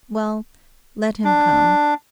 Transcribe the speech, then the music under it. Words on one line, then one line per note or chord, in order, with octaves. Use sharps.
Well, let him come.
D4